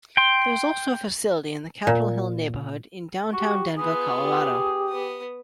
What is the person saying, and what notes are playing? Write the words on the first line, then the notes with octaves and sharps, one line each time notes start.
There is also a facility in the Capitol Hill neighborhood in downtown Denver, Colorado.
G5 C6
A#2
F#4 G4
B3 F4 G#4 B4
G4
B3 D#6